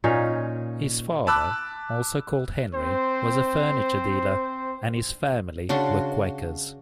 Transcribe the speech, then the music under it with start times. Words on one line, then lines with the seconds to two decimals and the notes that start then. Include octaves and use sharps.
His father, also called Henry, was a furniture dealer, and his family were Quakers.
0.04 A#2 C#4 D#4 F5
1.27 A5 B5 D6 E6 F#6
2.74 C4 C5
5.69 C#3 D4 F#4 C6